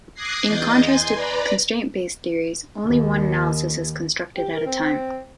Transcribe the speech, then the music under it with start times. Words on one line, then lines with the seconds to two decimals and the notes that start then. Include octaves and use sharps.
In contrast to constraint-based theories, only one analysis is constructed at a time.
0.14 D6 D#6 F#6 G#6 A#6 C7
0.47 E2 D#5 G6 A6
0.81 G#5 C6
1.14 B4 D5 A#5 B5
2.85 D#2
4.36 G4
4.54 A#4
4.66 C4